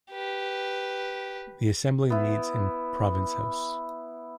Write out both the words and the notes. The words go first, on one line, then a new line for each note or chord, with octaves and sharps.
The assembly meets in Province House.
G4 B4
B3 E4